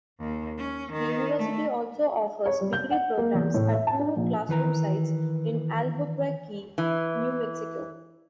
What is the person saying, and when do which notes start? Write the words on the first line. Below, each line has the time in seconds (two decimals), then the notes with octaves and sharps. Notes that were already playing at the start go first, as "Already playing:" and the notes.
The University also offers degree programs at two classroom sites in Albuquerque, New Mexico.
0.18 D#2
0.58 C#4
0.91 D#3
1.38 A3
2.46 C#5
2.61 G3
2.73 G6
2.91 F#5
3.17 A#3
3.34 E2
3.54 A2
3.74 E5
3.87 A5
3.99 D4
4.16 A#1
4.49 D#3 E3 B4 A#5
6.78 E3